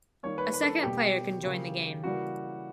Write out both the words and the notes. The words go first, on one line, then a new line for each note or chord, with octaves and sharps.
A second player can join the game.
D#3 G3 A#3 C#5
B4
B4
A4
B2 G3 A#3 G4
C#3 F#3 A#3
C#3 E3 G3 A#3 F#4